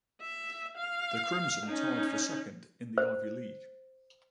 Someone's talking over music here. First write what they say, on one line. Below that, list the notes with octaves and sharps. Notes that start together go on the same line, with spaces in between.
The Crimson tied for second in the Ivy League.
E5
F5
C#4 D#4
C5